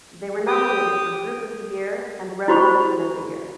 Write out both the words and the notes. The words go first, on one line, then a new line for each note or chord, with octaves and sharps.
They were nominated for Group of the year, and Revelation of the year.
G4 D#6
E4 F#4 C5 B5 C#6